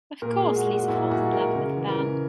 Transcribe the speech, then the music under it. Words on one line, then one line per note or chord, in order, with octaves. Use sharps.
Of course, Lisa falls in love with Van.
A#2 A#4
G#4
G#3
F#4
G#3
F#4
A#2 E4
A#2 F#4
G#3 A#4
C#3 A#4
E3
A#4
C#3